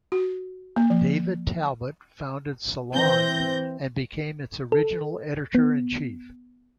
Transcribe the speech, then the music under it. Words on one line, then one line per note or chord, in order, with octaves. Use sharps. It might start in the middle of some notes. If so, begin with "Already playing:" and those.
David Talbot founded "Salon" and became its original editor-in-chief.
F#4
A#3
F3
E3 C4 G6 A#6
A4
B3